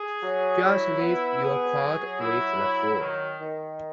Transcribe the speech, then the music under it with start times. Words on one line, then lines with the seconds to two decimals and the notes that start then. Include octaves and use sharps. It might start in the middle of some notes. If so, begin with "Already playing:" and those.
Just leave your card with the boy.
Already playing: G#4
0.23 F#3
0.62 E4
1.02 B3
1.42 G#4
1.81 F#3
2.20 E4
2.60 F#3
3.00 D#3
3.40 D#3